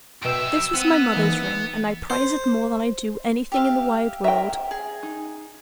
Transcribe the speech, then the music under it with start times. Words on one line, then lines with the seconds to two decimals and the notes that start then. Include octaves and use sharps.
This was my mother's ring, and I prize it more than I do anything in the wide world.
0.22 F#2 B2 E5 G5 E6 D7
0.74 B3 C4 D#7
1.14 E3 A#3 D#4
2.10 C5
3.52 G4 E5 F5
4.24 E5 G5 A#5
4.71 G#4
5.03 D#4